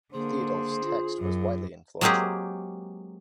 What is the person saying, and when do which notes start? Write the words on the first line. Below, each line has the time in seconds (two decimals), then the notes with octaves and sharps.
Theodulf's text was widely influential.
0.13 D3 A#3 G#4 C5
0.85 F4
1.19 F#2
2.01 F#3 G#3 A#3 C4 G4 G#4